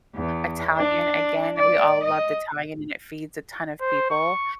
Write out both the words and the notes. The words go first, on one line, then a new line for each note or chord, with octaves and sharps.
Italian again. We all loved Italian, and it feeds a ton of people.
E2
D4
D5
D#5
C5
C#6